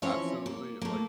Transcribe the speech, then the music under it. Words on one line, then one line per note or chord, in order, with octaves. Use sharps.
absolutely like
E3 F3 C4 C#4 E4 C#5
A#3
A3 A#3